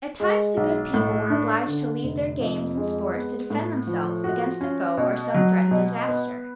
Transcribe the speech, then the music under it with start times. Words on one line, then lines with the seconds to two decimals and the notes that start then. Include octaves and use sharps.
At times the good people were obliged to leave their games and sports to defend themselves against a foe or some threatened disaster.
0.20 G#3
0.57 B1
0.94 A2
1.30 D4
1.67 D3
2.04 F1
2.41 F2
2.77 G#3
3.13 B3
3.50 A2
3.87 F3
4.24 F#4
4.61 C#4
4.97 B2
5.34 F#3
5.71 B2
6.08 B3